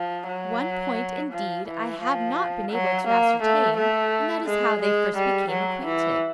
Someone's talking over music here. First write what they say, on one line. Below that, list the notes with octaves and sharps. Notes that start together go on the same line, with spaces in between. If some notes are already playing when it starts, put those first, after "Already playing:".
One point indeed I have not been able to ascertain and that is how they first became acquainted.
Already playing: F3
F#3
F3
E3
F3
F#3
A#3
A3
A3
G#3
G#3
G3
F#3
E3